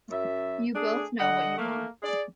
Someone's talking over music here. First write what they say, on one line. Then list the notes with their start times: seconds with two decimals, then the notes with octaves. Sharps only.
You both know what you want.
0.11 F#2 E5
0.75 A3 D4 G#4
1.20 D3 D#5 F#5
1.58 A3 A#3
2.03 G#4 D5